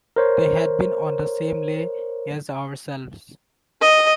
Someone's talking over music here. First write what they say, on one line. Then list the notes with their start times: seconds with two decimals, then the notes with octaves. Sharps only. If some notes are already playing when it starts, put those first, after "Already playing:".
They had been on the same lay as ourselves.
0.16 A#4 C5 C#5
3.81 D#5